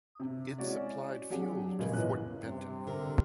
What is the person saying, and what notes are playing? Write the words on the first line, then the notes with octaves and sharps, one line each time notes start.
It supplied fuel to Fort Benton.
C3
G#3 C#4 E4 F#4 D5
F#3 C4 D4 G4 G#4 F#5
A#2 C#3 F3 G#3 A#3 B3
E2 A2 C#4 D#5 F#6
G2 C3
D3 A#4